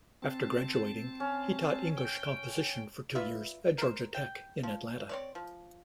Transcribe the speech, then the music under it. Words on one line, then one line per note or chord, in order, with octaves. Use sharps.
After graduating, he taught English composition for two years at Georgia Tech in Atlanta.
C4 A5
C#4
G5
F4 B4 D5 E5
A#4 C5
G5
F3
C4 C#5 D5
F3